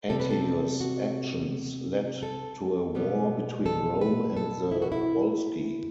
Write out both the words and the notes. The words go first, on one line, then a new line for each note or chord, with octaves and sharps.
Attius' actions led to a war between Rome and the Volsci.
C3 G3 C4 A4
B4
A4
F#4
A4
B2 G3 B3
A4
B4
A4
E4
F#4
E4